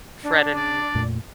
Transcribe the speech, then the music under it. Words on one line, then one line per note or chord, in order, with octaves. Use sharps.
Fred and-
D4
D5
F2 A#2 A3